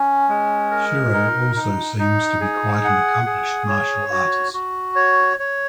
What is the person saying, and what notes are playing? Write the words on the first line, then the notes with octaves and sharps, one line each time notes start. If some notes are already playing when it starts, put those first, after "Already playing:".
Shiro also seems to be quite an accomplished martial artist.
Already playing: C#4
G#3
A#4
D#4
D#4
D#4
G#4
F#5
G#4
C#5
F#4
F#4
C#5
C#5